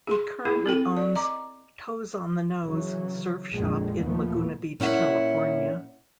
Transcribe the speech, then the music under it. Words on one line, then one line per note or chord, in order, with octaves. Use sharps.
He currently owns "Toes on the Nose" surf shop in Laguna Beach, California.
G#4 C6
B3 E4 G#4
C4 A4 G5
D5
D#5 A#5 D6
C#3 E3 F#3
A#1 F2 D3 G3 G#3
D#2 A#2 F3 A3 B3
A#2 C#4 E4 F#5